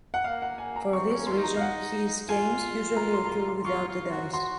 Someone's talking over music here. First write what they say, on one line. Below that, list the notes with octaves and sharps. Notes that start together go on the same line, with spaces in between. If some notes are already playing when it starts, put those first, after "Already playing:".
For this reason, his games usually occur without a dice.
F#5
A#3 F5
F#5
G#5
A#5
C4 C#6
C#6
C#4
C6
F4
D#4
A#5
F5
F#5
F4 G#5
A#5
C6
A#5
C6
C6
F4 C#6
F4
F#4
F#4 C6